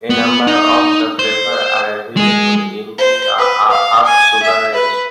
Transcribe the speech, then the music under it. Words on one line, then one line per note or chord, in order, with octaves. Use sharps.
A number of the flavours are available in the Half Sugar range.
B3
D#4
C5
G#3 G#4
C5
B4
F5
G#5
E5
B4